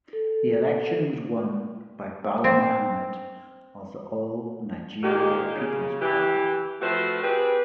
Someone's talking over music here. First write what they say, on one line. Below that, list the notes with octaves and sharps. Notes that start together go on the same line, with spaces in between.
The election was won by Bala Mohammed of the All Nigeria Peoples Party.
A4
C4
A#2 D#3 G#3 A#3 G4
C#3
E3 G4
F3 A3 C4 F#4 B4 C5
C4 G4 G#4 B4